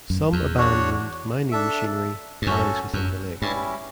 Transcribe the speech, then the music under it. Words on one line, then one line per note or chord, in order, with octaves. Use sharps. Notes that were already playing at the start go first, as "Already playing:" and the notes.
Some abandoned mining machinery lies within the lake.
F#2
E2
D4 F#4 C#5 F#5
D4 A4 E5
G2
F#2 C#4 F#4 A4
F#2
G2 G3 C#4 E4